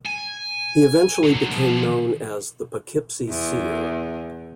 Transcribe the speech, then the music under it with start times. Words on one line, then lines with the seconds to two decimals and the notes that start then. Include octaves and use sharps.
He eventually became known as "the Poughkeepsie Seer".
0.05 G#5
1.23 D3 F#3
1.50 B2 F3
3.29 E2